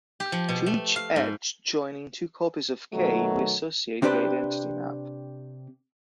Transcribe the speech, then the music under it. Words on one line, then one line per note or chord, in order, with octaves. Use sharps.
To each edge joining two copies of "K" we associate the identity map.
G4
F3
B2
A3
F5
G#2
B2 D#3 F#3 A3
C3 C4 D4 G4 B4